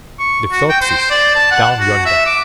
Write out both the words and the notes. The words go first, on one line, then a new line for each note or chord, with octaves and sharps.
"The Phelpses, down yonder."
C#6
F#4
G5
C5
D5
A5
F#5
F#4
E5
D6